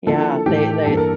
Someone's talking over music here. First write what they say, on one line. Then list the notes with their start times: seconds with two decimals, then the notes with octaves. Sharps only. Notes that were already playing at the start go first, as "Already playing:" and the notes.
Yeah, they they
0.06 D3 F3 A#3 E4 A4
0.46 A2 E3 A3 G4
0.85 G2 E3 A#3 D4 A4
0.97 A#4